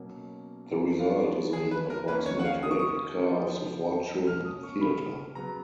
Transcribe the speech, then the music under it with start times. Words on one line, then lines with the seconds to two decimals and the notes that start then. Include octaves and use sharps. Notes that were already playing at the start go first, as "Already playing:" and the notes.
The result is an approximate replica of the Fortune Theatre.
Already playing: B2 F#3 A#3 C#4
0.99 F3 B3 F5
1.53 G#4
1.71 B4
1.90 A#4
2.08 D#3 A#3 C#4 B4
2.26 C#5
2.39 F#5
2.45 F5
2.63 D#6
2.71 C#6
2.79 D#6
3.17 F3 B3
4.27 B2 A#3 C#4 F6
4.45 D#6
4.63 C#6
4.81 B5
5.35 C#3 F#3 B3 A#5